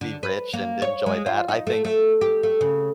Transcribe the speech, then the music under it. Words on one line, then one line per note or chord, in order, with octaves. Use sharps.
be rich and enjoy that. I think
D3
B4
A#3
C#5
G#3
F4
D#4
A3
A3
G4
A3
C#3